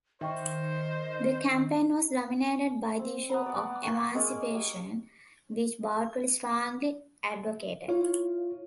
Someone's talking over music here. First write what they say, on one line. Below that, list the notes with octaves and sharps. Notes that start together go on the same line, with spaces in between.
The campaign was dominated by the issue of emancipation, which Boutwell strongly advocated.
D#3 C5 D#5 E5 G5 C#6
C4
B3 A#5 B5
D5 F#5
A#3 G5 C#6
G#3 C#4 G#4 D5
G4
E4 F4 C#5 F5